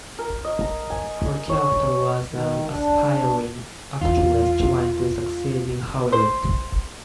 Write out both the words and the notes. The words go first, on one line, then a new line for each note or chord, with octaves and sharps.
Her character was an aspiring actress trying to succeed in Hollywood.
A#4
D#5
A#5
G#5
C#5
D#3
D4
E2 F4
C5